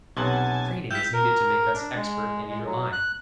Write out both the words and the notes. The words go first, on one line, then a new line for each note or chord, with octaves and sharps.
Training is needed to make us expert in either line.
B1 C3 C#4 F#5 G#5 A5
G3 E4 F4 G6 B6
A#4
D4
G#3
G#3
F#3
F#6